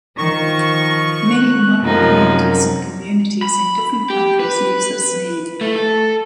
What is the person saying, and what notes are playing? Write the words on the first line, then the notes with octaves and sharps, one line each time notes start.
Many modern collectives and communities in different countries use this name.
D#3 F3 C#6
F#6
F#2 C3 F3 D#4
B5
G4
B4
A3
A4